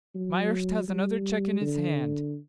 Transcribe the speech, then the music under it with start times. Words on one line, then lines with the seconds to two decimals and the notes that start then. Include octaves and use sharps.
Myerst has another cheque in his hand.
0.15 F#3
0.88 G3
1.61 D3